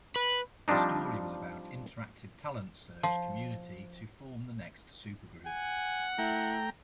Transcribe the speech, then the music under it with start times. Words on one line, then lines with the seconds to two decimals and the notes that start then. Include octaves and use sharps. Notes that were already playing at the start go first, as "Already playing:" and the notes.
The story was about interactive talent search community to form the next Supergroup.
0.16 B4
0.68 F3 G3 C4 D4 D#4
3.03 F3
5.46 F#5 G#5
6.18 A3 E4 G5 A#5